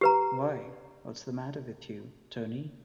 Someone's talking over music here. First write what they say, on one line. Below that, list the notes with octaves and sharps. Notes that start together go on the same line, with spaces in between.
Why, what's the matter with you, Tony?
G4 B4 A#5